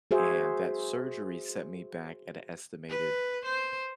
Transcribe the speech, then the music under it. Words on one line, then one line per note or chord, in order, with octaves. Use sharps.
And that surgery set me back at a estimated
F#4 G#4 C5 E5
B4
C5